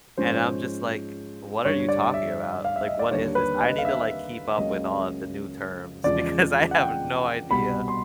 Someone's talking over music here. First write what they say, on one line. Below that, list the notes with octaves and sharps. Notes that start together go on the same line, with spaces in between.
and I'm just, like, "What are you talking about? Like, what is this?" I need to, like, keep up with all of the new terms because I have no idea.
G#2 F3 G#3 C#4 C5
G2 D3 G3 C#5
D5
E5
F5
E5
D#5
D5
D#2 D3 G3 A#3 D4 C#5
B4
D#5
F5
E5
C#2 C#3 F#3 A#3 C#4 D#5
E2 C#3 F3 G#3 D5
F#5
G5
C2 B2 G3 B3 B5
C6